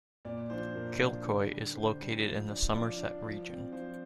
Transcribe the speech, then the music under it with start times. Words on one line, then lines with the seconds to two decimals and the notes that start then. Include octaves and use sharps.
Kilcoy is located in the Somerset Region.
0.25 A#2 D5
0.50 F3 D4 C5
0.75 A#2 A#4
1.00 F3 D4
1.24 D3
1.49 G3 D4
1.74 D3 C5
1.99 G3 D4
2.24 F3
2.49 D4
2.73 F3 D5
2.98 D4
3.23 F3
3.48 C4
3.72 F3 C5